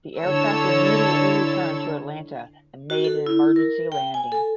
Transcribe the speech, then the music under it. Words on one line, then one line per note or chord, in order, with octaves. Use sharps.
The aircraft immediately returned to Atlanta and made an emergency landing.
D3 E4 A4 C#5 E6
F#4
A4
E4
A#4
G5
G#5
A4